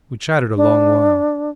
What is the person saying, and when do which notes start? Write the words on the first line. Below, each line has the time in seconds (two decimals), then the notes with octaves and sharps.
We chattered a long while.
0.57 D4